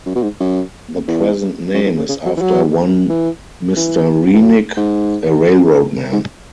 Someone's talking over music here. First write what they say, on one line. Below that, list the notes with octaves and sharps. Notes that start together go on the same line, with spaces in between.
The present name is after one Mr. Renick, a railroad man.
F#2
B2
G#2
F#2
E2
F#2
G#2
C#3
C#3
F#3
E3
F#3
E3
E3
E3
F#3
G#2
G#2